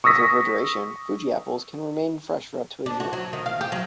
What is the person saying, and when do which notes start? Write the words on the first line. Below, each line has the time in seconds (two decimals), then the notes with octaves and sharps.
With refrigeration, Fuji apples can remain fresh for up to a year.
0.04 C#6 D#6 E6 A#6 B6
2.86 D4
3.00 F#4
3.13 F#3
3.33 D#3
3.46 F5
3.61 G4
3.72 F#3